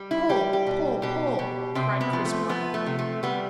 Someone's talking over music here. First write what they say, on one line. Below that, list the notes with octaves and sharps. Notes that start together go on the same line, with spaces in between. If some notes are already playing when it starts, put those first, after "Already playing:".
"Pull, pull, pull!" cried Chris wildly.
Already playing: G3
E4
G3 G4
G4
B2
B2 G4
B2
C3 C4
B3
F3
A3
F3 B3
A3
C3
A3
G3 B3